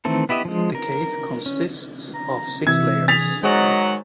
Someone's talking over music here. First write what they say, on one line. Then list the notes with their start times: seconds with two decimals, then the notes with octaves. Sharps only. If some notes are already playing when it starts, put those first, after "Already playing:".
The cave consists of six layers.
0.05 D#3 E3 A3 C4 A4
0.29 B3 E4 G4 D#5 E5
0.45 F3 G#3
0.75 A#4
1.46 C#4
2.14 A#5
2.67 C3 E3 E5 G#6
3.08 G#4 A6 B6 F7
3.43 D#3 F#3 G#3 C5 D#5 F#5 G#5